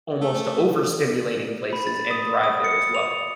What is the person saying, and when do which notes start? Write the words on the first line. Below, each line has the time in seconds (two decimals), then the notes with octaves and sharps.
almost overstimulating places and thrive there as well.
0.21 A3
1.73 B5
1.87 A6
2.11 D#6
2.44 D#6
2.64 C#7
2.95 F7